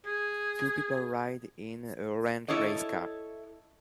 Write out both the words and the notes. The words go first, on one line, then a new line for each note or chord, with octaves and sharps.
Two people ride in a orange race car.
G#4
E4 A4 C#5 D#5